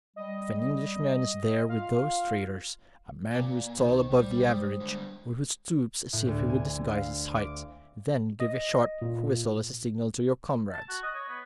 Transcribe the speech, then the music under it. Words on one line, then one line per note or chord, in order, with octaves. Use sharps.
If an Englishman is there with those traitors, a man who is tall above the average, or who stoops as if he would disguise his height, then give a sharp, quick whistle as a signal to your comrades.
G3 D#5
F4 F5
A#2
C2 C3 D#3 C5
G3
G#3 C5 D#6
D3 G3
A2
D2
G#5
F5
D6
D#5
A#2
A5
F#4
D#5
C#5
B3